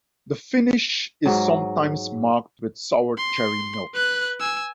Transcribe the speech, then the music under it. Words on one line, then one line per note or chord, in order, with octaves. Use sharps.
The finish is sometimes marked with sour-cherry notes.
G#2 F#3
C6
B4 F#6
G#5 E6